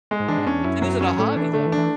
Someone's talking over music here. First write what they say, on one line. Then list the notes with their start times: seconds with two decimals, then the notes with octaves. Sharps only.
Right. But, then, is it a hobby, though?
0.11 G#3
0.20 G#2
0.28 E3 D4
0.38 G#2
0.47 E2 C#4
0.64 F#2 E4
0.82 F#3
1.01 C#4
1.18 A2 A3
1.36 E3 D4
1.53 D3 A3
1.66 E3
1.72 D4
1.77 E3